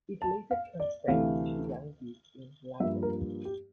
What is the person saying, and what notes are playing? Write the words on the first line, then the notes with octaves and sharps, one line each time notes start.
It later transferred to the Young Vic in London.
A5
F5
D5
D2 C3 E3 A3 F5
G2 F3 A#3 E5
A#4
G4